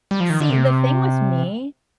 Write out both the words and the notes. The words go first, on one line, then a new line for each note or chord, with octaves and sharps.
See, the thing with me
G3
F3
D#3
D3
C3